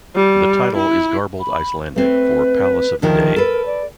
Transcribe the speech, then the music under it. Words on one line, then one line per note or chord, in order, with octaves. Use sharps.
The title is garbled Icelandic for "Palace of the Day".
G3
E4
B5
A3 C4 B4
D2 D#3 F3 A#4
A4 B4
D5